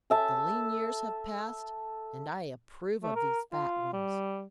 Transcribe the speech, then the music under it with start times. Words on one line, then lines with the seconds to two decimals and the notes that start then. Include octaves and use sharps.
The lean years have passed, and I approve of these fat ones.'
0.10 A4 E5 A5
3.03 A3
3.15 A#4
3.53 F4
3.93 G3